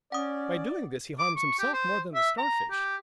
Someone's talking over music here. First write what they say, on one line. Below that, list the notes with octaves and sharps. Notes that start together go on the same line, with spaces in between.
By doing this he harms himself more than the Starfish!
C#4 D5 F#5 D#6
D6
C#6
G4
C5
E5
A#5
G4